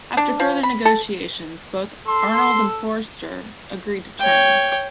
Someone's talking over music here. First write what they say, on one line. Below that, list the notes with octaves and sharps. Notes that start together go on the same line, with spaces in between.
After further negotiations, both Arnold and Forster agreed to terms.
D4
F3
B5
A4
A4 C6
C#5 G5